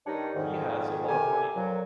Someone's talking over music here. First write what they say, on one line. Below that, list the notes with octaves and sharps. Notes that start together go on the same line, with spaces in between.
He has a lot of money.
G2 D#3 G3 D4 D#4 C#5
F2 G#2 D#3
C3 G4 A4 A#4 G#5
F2 A#2 F#3